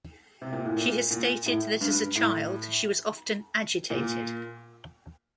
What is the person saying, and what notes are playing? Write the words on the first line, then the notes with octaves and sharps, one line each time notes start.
She has stated that, as a child, she was often "agitated".
C3
A#2
A2
A#2
A#2
A2
G2
A2
A#2